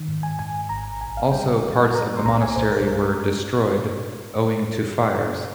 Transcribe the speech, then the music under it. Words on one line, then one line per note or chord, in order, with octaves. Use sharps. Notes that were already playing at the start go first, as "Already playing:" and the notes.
Also parts of the monastery were destroyed owing to fires.
Already playing: D#3
G#2
G#5
G#2 G#5
G#1 A#5
A#1 G#5
F5
G3 G5
G5
G3
A#2 A#5
C6
C2 A#5
G#5
C2 C5
A#4
G#3 A#4